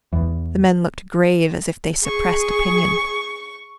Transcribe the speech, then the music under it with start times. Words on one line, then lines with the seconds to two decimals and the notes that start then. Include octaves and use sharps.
The men looked grave, as if they suppressed opinion.
0.13 E2
2.05 G#4 C#6